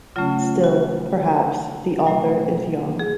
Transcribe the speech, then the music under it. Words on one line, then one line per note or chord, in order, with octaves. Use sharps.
Still, perhaps, the author is young.
C#3 F#3 A3 C#4 F4
F#4
B2 F#3 A3
G#4